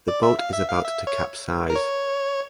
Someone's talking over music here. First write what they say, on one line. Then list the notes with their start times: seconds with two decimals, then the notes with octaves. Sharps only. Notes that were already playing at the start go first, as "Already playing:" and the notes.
The boat is about to capsize.
0.08 D5
0.23 E5
0.39 F5
0.53 E5
0.69 F5
0.84 E5
1.07 C#5
1.70 A#4
1.76 C#5